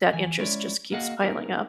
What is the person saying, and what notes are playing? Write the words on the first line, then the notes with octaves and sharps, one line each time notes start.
that interest, just, keeps piling up.
E3 G#5
G#3 C#4 E4 C#5 D5
A#3 F#4 G#4 D#5 F5 F#5
B3 C#4 D#4 G#4 A#4